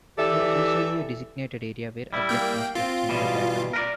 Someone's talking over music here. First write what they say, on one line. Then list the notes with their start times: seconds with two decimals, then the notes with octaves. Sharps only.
There is usually a designated area where athletes must exchange the baton.
0.18 E3 G4 A4 D5 E5
2.13 G3 E4
2.29 A#3 G5
2.75 C4 F4
3.09 B2 E3 G3
3.73 A#4 B4 D5